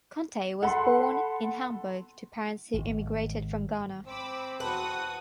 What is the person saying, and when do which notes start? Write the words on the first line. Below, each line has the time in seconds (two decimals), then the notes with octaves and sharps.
Conteh was born in Hamburg to parents who emigrated from Ghana.
0.62 A4 F#5 B5 C6
2.74 G#1
4.08 C4 B5 D6 E6
4.60 E2 F#4 B4 A5 D#6